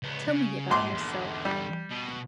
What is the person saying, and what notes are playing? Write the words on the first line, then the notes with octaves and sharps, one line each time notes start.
Tell me about yourself.
C#2 B3
C#3
A#1 G#2 C6 D6
E2 D3
G3
B2